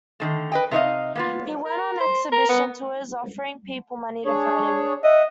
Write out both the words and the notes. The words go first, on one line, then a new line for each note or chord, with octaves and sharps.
He went on exhibition tours offering people money to fight him.
D3 D#3 A3
B4 D#5 G5
C3 A3 D#4 C#5 D#5 F5
A#3 B3 F4
A#4
C5
A#4
B3
D4 G#4 C#5
D#5 E5 F#5